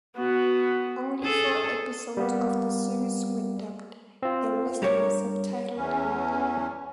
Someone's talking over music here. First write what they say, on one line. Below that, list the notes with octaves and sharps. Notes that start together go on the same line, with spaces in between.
Only four episodes of the series were dubbed; the rest were subtitled only.
B3 F#4
G#4 A4
G3 A#3 B3
C4 F4
G2 G4 A#4 C#5
E2 E3 C#4